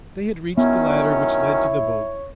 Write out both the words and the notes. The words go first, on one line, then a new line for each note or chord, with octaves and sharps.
They had reached the ladder which led to the boat.
D#3 F#3 B3 C#4 E4 C#5